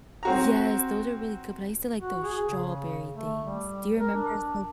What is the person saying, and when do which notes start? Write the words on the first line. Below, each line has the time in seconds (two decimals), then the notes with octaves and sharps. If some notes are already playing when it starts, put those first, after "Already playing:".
Yes, those are really good, but I used to like those strawberry things. Do you remember s
0.23 C4 F#4 A#5
1.99 F#4
2.23 G#4
2.50 C#3
3.15 A3
3.43 G3
3.98 A#4
4.14 D4